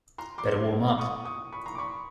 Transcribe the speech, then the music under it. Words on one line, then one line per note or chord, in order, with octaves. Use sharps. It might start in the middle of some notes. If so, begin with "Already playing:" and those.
Better warm up.
A#5 C6
C6 D6
C#6 D#6
C#6 D#6
B5 C#6
A#5 C6
D6
B5 C#6